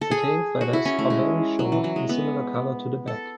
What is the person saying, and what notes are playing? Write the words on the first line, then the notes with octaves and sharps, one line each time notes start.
The tail feathers are very short and similar colour to the back.
A4
G#4
F#4
E4
C#4
A3
G#3
F#3
E3
F#3
G#3
B3
A4